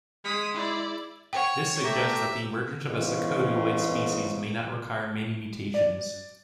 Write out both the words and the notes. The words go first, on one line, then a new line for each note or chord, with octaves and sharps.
This suggests that the emergence of a secotioid species may not require many mutations.
G#3 D#6 B6
E4 D5
C#5 F#5 G5
A3 G4 E5 A#5
G1 E2 G#2 C#3
D5